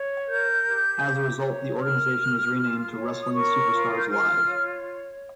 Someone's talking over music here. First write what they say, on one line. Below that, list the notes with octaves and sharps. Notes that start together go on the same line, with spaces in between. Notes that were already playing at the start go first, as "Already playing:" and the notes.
As a result, the organization was renamed to Wrestling Superstars Live.
Already playing: C#5
A#4 G6
G4
G4
C#5
A#4 F6
G4
F4
C#5
D#6
A#4 C#6
F4
G6
F4 F6
C#5